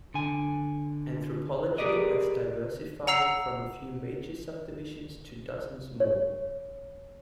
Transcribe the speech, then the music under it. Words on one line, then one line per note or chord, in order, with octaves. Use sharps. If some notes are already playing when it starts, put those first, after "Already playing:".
Anthropology has diversified from a few major subdivisions to dozens more.
D3 G#5
G4 G#4 A#4 B4 D5 D#5
F#5 A#5 E6 C7 F7
C#5